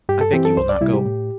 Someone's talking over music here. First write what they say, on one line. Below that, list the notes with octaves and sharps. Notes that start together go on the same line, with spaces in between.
I beg you will not go.
G2 G4
A4
E3 C4 G4
A4
C2 C5
D5
C3 G3 E4
G4
A2